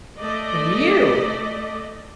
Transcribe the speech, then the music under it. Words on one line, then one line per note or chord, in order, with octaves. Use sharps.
And you!
A3 D5 D#5